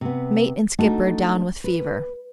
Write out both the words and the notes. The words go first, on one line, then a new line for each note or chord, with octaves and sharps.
Mate and skipper down with fever.
C3 B3
A3 D4 D#4 F#4 A4
B4